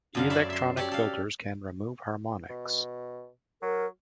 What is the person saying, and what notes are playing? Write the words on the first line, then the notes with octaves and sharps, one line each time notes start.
Electronic filters can remove harmonics.
F#2 D3 F5
C#5 D5 E5 B5 C6
E5 C6
G4 A4 C#5 D5
A4 F5
B2
F#3 A#4